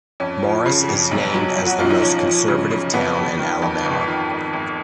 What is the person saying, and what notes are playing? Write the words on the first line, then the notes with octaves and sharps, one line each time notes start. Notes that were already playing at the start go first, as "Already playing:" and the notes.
Morris is named as the most conservative town in Alabama.
F2 C#4
F3
C#3
F2
B1
F#3
F#3
F#4
B1 F4
D#4
F3 C#4
F3
C#3
C#3
F2 B3
F2
D#3
F2
G#1
D#3
G#1
G#1